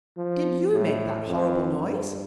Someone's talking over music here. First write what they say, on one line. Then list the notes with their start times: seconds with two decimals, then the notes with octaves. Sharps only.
"Did you make that horrible noise?"
0.17 F3
0.72 A2
1.27 F2
1.82 G2